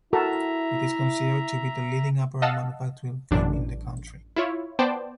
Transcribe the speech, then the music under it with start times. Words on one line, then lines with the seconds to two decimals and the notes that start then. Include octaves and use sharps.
It is considered to be the leading apparel manufacturing firm in the country.
0.13 E4 F#4 A4 A#4 E5 A#5
2.42 D#5 F5 F#5 A5 E6
3.31 A1 F#2 D4
4.36 E4 F4 C#5
4.79 B3 C5 D5 G5 A5